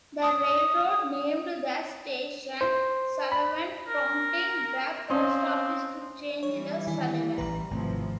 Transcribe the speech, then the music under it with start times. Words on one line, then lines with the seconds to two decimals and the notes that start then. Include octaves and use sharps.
The railroad named the station "Sullivan" prompting the post office to change to Sullivan.
0.22 D#6
2.61 C5
3.32 B5
3.88 A#4
5.10 C4 C#4 C5 D#5 F5
6.43 E3 G3 C#5
6.87 D#3 E4 G#5
7.38 A1 A2 B4 A#5
7.71 G#1 A2 C3 F3